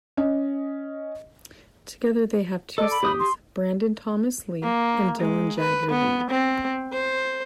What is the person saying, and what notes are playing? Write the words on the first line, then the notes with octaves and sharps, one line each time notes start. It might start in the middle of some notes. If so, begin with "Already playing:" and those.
Together they have two sons, Brandon Thomas Lee and Dylan Jagger Lee.
C#4 D#5
A4 D5 D#5
B5
G4 D#6 G6
C6
A#3
G#3
B4
B3
C4
C5